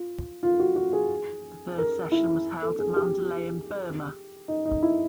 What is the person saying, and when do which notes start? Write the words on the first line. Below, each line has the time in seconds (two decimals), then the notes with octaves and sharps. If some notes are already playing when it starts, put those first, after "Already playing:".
The third session was held at Mandalay in Burma.
Already playing: F4
0.43 F4
0.60 F#4
0.76 F#4
0.93 G#4
1.78 A#4
2.12 E4
2.62 A4
2.79 G#4
2.96 G4
4.48 D#4
4.65 D#4
4.83 E4